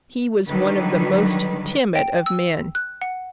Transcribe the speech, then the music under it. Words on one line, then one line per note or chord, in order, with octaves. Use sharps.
He was one of the most timid of men.
D3 D#3 F#3 G3 B4
G5
E6
F#6
F#5